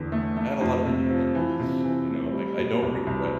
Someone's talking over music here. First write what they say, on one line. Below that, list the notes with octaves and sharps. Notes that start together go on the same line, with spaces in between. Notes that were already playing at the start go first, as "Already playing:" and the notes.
I had a lot of independence, you know, I I don't regret
Already playing: E2 D3
A3
A3
F2
C3
F3
E3
C3
E3
A3
G3
B2
C2
C2